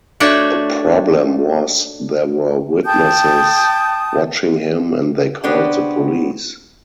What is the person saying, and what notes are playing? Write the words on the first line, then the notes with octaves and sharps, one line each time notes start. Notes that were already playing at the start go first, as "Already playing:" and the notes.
The problem was there were witnesses watching him and they called the police.
A3 D4 F#4 C#5 G5
G5 A5 D#6 G6
C#3 B3 D4 G4 C5